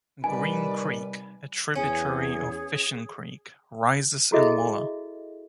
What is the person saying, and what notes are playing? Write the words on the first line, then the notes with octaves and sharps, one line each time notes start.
Green Creek, a tributary of Fishing Creek, rises in Waller.
C3 D#3 G3 B4 D5 G#5
E2 C#4 G#4
E4 F#4 G#4 A4 D#5 E5